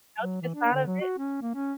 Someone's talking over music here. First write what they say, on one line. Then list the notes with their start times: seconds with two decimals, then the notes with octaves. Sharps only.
melted inside of it.
0.20 F#3
0.41 E3
0.54 D4
0.73 D3
0.87 F#3
1.01 F#4
1.18 C#4
1.42 A#3
1.55 C#4